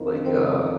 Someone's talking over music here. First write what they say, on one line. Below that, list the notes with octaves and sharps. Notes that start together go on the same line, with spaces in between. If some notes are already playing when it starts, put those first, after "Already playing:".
Like, uh,
Already playing: F2 D#3
C4